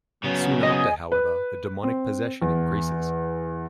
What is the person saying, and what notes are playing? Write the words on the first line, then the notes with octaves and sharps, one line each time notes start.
Soon after, however, the demonic possession increases.
C#3 F#3 B3
G#4 D#5 G#5
B4
C4
E2